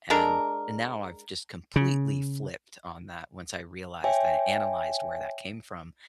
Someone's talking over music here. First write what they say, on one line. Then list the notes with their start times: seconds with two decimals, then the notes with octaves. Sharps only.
and n now, I've just completely flipped on that, once I realized, and I analyzed where that came from.
0.10 G#3 D4 A4 A#4
1.76 C#3
4.04 C#5 E5 G5 G#5